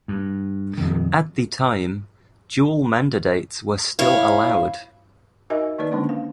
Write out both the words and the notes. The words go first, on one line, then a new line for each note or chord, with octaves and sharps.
At the time, dual mandates were still allowed.
G2
D#1 F2 D#3
E4 C#5 F5
D#4 F#4 A#4 D#5 E5 G#5
D#3 A#3 D#4 B4 D5
D3 G#3 A#3 C#4 D4
F5